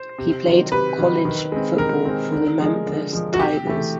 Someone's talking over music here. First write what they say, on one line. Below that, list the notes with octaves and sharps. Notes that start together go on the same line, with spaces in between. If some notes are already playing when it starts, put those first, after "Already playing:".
He played college football for the Memphis Tigers.
Already playing: C5
C3
D#3 F#3
C3 B4
D#3 F#3
D#3
G#3 C4
D#3 A#4
G#3 C4
D3
F3 G#3
D3
F3 G#3
F#4
C3 G4
E3 A3